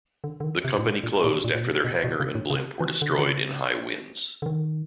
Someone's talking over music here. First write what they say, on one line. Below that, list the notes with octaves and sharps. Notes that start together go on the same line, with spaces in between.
The company closed after their hangar and blimp were destroyed in high winds.
D3
D3
D#3
C3
A2
A#2
A#2
A#2
A#2
A#2
B2
B2
B2
C#3
A2
C#3
E3
D3
C#3
D3
C#3
D3
D#3